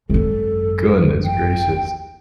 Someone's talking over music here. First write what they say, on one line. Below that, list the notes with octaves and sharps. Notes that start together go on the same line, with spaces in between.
Goodness gracious.
G#1 F#2 A4
G5